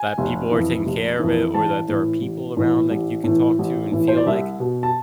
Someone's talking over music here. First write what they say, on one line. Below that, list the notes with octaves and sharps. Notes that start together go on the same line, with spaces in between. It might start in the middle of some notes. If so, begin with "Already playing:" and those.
that people are taking care of it or that there are people around that you can talk to and feel like
Already playing: G#5
F1
F2 E3
F1
F2 E3
A1 A5
A2 E3
A1
A2 E3
A1
A2 E3
A1
A2 E3
C5
D5
C2 E5
B2
A5